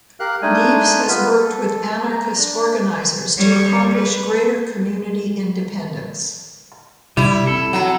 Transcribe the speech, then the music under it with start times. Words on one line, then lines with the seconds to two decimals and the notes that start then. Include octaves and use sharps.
Nieves has worked with "anarchist organizers" to accomplish greater community independence.
0.20 G4 A#4 F5 F#6
0.42 G#3 A3 D4 D#4 G#5
1.08 B3 F4 B4
1.39 A4
2.09 A#5
2.38 D4
3.38 G3 C#5
3.94 B4
7.17 C3 G3 E4
7.47 C4 D4 A4
7.73 F#3